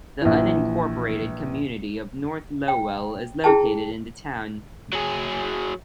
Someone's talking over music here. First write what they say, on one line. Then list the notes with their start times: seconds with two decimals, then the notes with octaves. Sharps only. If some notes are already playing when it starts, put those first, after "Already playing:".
The unincorporated community of North Lowell is located in the town.
0.21 A#1 E3
2.68 G5
3.44 E4 G#4 G5 A5
4.93 F#3 G#4